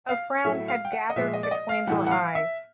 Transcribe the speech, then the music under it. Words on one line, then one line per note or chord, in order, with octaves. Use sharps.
A frown had gathered between her eyes.
F5
A2 F#3 A3 E5
F5
G5
F#5
D#5
A#2 F3 G#3 E5
D#5
D5
D#5
F5
A2 E3 G3 F#5
F#5
F5
E5